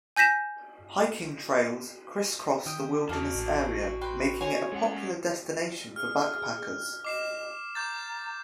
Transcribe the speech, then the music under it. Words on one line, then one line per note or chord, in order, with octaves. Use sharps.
Hiking trails crisscross the wilderness area, making it a popular destination for backpackers.
G#5 G6 A#6 B6 E7
D#3 G5 D#6
E2 A#3 F#4 A5
A1
B4 G5 C6
C5 C#5 G#5
G#3 C#4 F#5
G#4 F6
D#5 D6 C7 E7
A#5 D6 G6 A6